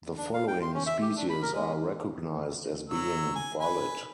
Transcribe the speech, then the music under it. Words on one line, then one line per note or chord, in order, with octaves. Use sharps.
The following species are recognised as being valid.
D4
F5
G5
C6
C#4
E5
G4
D4
B5
A#4
G#3
F#3 E6
G#5
B4 G#5